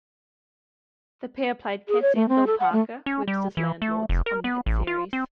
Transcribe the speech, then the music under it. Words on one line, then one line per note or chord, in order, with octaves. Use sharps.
The pair played Cassie and Bill Parker, Webster's landlords, on the hit series.
G#4
C#5
A3
C4
A4
F#5
A3
C#4
G3
E3
A3
F1
A#4
B3
A1
F4
C4